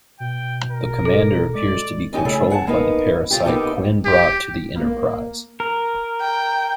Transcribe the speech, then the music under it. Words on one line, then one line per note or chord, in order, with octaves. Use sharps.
The commander appears to be controlled by the parasite Quinn brought to the "Enterprise".
B2 G5
A#4
A4
G#3 D5
D#2 D#4 G4 C#5 G#5
A2 C#3 G#4 A4
G#4 F#5 G5 A5
A#3 B3 D#4
C#3 F4 G4
A#3 B3 D#4 F#4 G4 A4
G4
A#3
A#4
G5